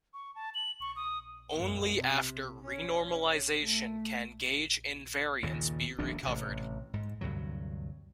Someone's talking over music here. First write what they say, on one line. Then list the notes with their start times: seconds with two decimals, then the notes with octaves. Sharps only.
Only after renormalization can gauge invariance be recovered.
0.14 C#6
0.35 A5
0.55 F#7
0.81 C#6
0.96 D#6
1.56 F#2
1.98 C3
2.65 C#4
3.61 A3
5.43 D#2 A#2 C#3
5.99 D#1 A#1 A#2 D4
6.23 A1 C3
6.94 G#2
7.21 D2 G2 C3 F#3